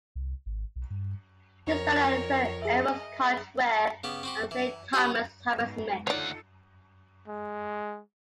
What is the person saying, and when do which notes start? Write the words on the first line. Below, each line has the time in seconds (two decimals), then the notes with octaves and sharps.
He studied at Saint Edmund's College, Ware, and Saint Thomas's, Hammersmith.
0.16 C2
0.46 G#1
0.76 B1
0.90 G2
1.67 F2 A#4 C#5
2.62 G#4 D#5 E5
4.04 C#3 B3 G4
4.23 C4 F#4 G4
4.51 E3
4.93 F#4 G4 C#5 D#5 A5
5.56 G#2 B2
6.07 D2 D#4 F4 A4 C#5 D5 F#5
7.28 G#3